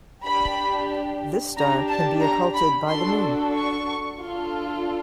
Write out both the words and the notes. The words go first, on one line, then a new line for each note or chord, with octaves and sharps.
This star can be occulted by the moon.
D4 G4 B5
D4 G4 A#5
A5
A#5
B5
D4 F#4 A4 C6
C#6
D4 F4 A4